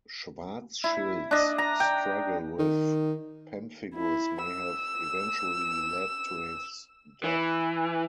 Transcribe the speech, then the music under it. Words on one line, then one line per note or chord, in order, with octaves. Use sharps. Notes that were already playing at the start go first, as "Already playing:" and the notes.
Schwarzschild's struggle with pemphigus may have eventually led to his death.
E4
D4 D#5
A#5
G5
D#3
E4
E6
E3